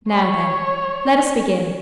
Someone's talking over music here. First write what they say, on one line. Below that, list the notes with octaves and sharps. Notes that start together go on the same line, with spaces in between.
Now then, let us begin.
C#5